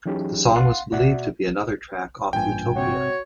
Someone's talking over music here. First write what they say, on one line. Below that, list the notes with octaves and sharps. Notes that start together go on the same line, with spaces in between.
The song was believed to be another track off "Utopia".
E3 F#3 C#4 D#4 G4 G#4
F5 F#5 C6
B2 F#4 D5 E5 F#5
A1 G2 A#2 G5 G#5
G#2 C3 F#4 C#5